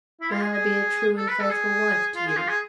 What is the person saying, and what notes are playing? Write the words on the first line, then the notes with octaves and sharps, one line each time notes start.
"May I be a true and faithful wife to you."
E4
F4
G#4
G#4
A4
B4
A4
G#4
F4
G#4
F4
G#4